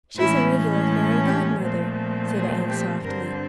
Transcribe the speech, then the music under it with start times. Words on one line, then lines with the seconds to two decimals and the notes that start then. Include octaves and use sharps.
"She's a regular fairy godmother," said Anne softly.
0.18 A2 E3 G#3 C#4 E4
1.25 G4
1.61 A#2 F3 A3 C4
2.32 G#4
2.68 G4
3.04 G2 D3 G3 C4 A#4